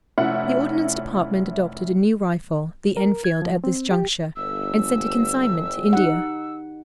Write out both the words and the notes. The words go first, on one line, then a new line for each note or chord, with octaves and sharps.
The Ordnance Department adopted a new rifle, the Enfield, at this juncture, and sent a consignment to India.
F1 C#4 E4 E5 F#5
A#4
G#6
F3
C4
G4
G1 E6
D#4 G4 F#5